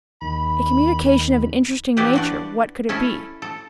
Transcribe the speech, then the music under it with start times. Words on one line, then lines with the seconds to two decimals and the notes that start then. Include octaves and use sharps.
A communication of an interesting nature, what could it be?
0.21 D#2 B5
1.97 E3 B3 E4 G4 D5
2.13 D4 F#4 D5
2.89 C#4 E4 A4
3.42 A4